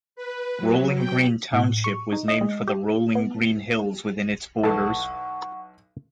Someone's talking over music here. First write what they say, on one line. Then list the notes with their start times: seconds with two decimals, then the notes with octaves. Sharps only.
Rolling Green Township was named for the rolling green hills within its borders.
0.16 B4
0.58 F#3
0.98 G5
1.53 A2
1.84 C#6
2.12 D#4
2.28 D#5
2.41 G#3
2.67 G4
3.15 B3
4.64 B1 E3 A4 F#5 A5 C#6